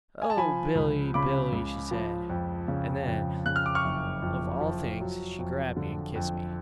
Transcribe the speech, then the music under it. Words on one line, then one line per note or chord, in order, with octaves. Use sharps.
"Oh, Billy, Billy!" she said, and then, of all things, she grabbed me and kissed me.
G#5
A5
F3 G#5 B5
C#2
C#3 B5 D6
C#2
F3
F2
C#3
F2
C#3 F#6
F6
D6
C#6 F6
F#1
F2
F3
F#3
F2
D3
F2